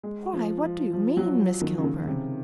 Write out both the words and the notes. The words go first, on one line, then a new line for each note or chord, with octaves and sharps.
"Why, what do you mean, Miss Kilburn?"
G#3
F3
F3
F3
F#3
D#3
C#3
D#3
C#3
C3